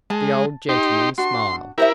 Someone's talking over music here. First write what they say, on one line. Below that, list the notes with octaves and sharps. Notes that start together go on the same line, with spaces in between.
The old gentleman smiled.
G#3 A5
D#4 G4 C6
D4 F#4 C6
E4 G4 A#4 C5 E5